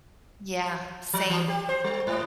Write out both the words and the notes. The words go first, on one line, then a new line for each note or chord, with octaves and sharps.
Yeah, same.
F3
E3
G4
C5
G3
G#2